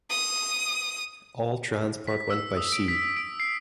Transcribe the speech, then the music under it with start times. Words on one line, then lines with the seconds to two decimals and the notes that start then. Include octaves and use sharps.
All transport went by sea.
0.10 D#6
2.07 B6
2.30 E6
2.57 D#6
2.72 D7
2.88 B6
3.17 D7
3.40 C7